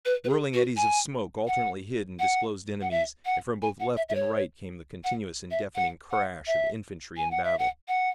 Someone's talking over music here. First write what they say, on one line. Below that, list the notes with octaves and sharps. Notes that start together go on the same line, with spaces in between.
Whirling eddies of smoke alternately hid and disclosed enemies, and from both left and right came the continuous and deafening crash of infantry in battle.
B4
B4
G#4
F#4
G#5
F#5
F#5
F#5
E5
F#5
G#5
F#5
E5
E5
C#5
F#5
E5
F#5
F#5
E5
G#5
F#5
E5
F#5
F#5